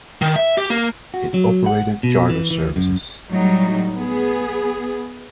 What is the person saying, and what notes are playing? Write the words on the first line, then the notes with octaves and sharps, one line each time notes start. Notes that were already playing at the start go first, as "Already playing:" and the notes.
It operated charter services.
D#3
E5
G4
A#3
F#4
F#3
F#5
B2
E3
E3
F#2
A2 F#3 G3 D#4
B3 G#4